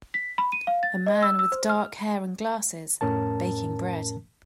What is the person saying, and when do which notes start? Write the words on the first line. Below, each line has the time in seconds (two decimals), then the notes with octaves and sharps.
A man with dark hair and glasses baking bread.
0.14 B6
0.38 B5
0.52 D#7
0.67 F5
0.83 A6
1.06 D#5
1.23 E6
1.39 E6
1.52 C5
1.70 F6
3.01 F2 A2 C#4 A#4 A5